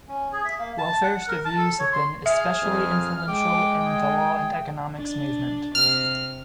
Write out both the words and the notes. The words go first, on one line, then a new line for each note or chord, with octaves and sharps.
"Welfarist" views have been especially influential in the law and economics movement.
C#4
G#4
E5
A#3
A5
F#5
A#4
A5
A4
C#5
C6
G#4 E5 F6
F2
G#3 G5 D6
G#4
D4
C3 F6